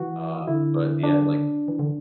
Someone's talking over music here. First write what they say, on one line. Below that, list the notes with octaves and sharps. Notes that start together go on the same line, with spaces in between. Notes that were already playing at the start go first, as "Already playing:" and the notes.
Uh, but yeah, like
Already playing: E3 F#4
D3 E4
D4
E3
D3